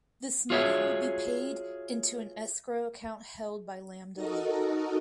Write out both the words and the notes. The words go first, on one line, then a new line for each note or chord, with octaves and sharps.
This money would be paid into an escrow account held by Lambda Legal.
F4 F#4 G#4 C#5 E5
D#4 F#4 A4 A#4 D#5